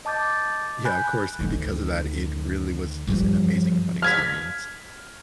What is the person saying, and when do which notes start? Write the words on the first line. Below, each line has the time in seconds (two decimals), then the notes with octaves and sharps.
Yeah, of course, and because of that, it really was just an amazing, fun experience.
0.05 D#5 A5 D6 G6 A6
0.85 G#5 B5 F#6 G6
1.39 D2 D#3
3.07 G2 F3
4.02 F6 G#6 B6